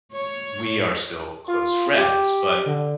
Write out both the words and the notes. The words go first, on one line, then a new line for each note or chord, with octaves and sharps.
we are still close friends, but
C#5
F4
G4
D3